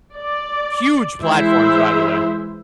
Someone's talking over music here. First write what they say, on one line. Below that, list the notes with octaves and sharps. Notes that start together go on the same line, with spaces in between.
Huge platforms, by the way.
D5
E3 G#3 E4 C5 E5